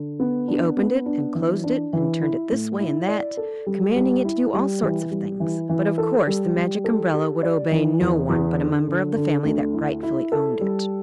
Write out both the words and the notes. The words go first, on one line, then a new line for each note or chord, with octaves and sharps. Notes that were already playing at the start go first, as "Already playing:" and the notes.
He opened it and closed it, and turned it this way and that, commanding it to do all sorts of things; but of course the Magic Umbrella would obey no one but a member of the family that rightfully owned it.
Already playing: D3
B3
D4
B3
D4
E3
D4
E3
E4
A2
E4
D5
A4
G3
G3
E4
G3
E3
G3
E3
E3
A4
G3
G3
A4
G4
D5
E3
E2
E2
D3
D3
D3
D2
E4
E4
A4
G3